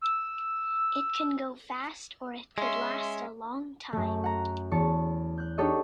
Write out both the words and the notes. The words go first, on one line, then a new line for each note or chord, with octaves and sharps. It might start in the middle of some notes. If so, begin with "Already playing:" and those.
It can go fast or it could last a long time.
E6
G#3 C#4 E5 C6
F#2 A3
F#5 A#5
E2 B3 C#5 A5 C#7
F#6 G6
D4 D#4 G4 A4 C#5 D#5